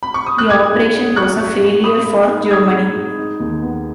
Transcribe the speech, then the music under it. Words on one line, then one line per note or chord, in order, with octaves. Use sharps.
The operation was a failure for Germany.
B5
C#6
D#6
F#6
G#2 D#6 G#6
G#2
C#4
F#3 C#6 F#6
G#2
G#2
G#2 B5 D#6
G#2
D#4
G#3 D#6 G#6
G#2
G#2
D#4
D#2
B3